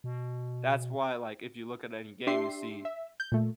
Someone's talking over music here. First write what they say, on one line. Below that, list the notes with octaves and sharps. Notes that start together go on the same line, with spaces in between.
That's why, like, if you look at any game, you see
B2
D4 G4 E5 C6 C7
E5
G6
A#2 A3